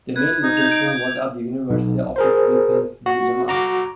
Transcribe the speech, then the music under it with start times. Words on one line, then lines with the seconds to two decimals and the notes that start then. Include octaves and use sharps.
The main location was at the University of the Philippines Diliman.
0.16 B4 G#6
0.42 D#4
0.57 G6 F7
0.72 D7
1.70 B1
2.16 G#4 A#4 C5
3.06 F#4
3.48 F#4 A#5 D6